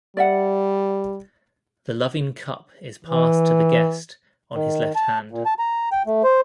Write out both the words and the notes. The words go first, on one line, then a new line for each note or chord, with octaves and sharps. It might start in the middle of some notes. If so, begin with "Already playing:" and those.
The loving cup is passed to the guest on his left hand.
G3 D5 E5 F#5
E3
D#3
A5
A#2
A5
A#5
G5
A3
C5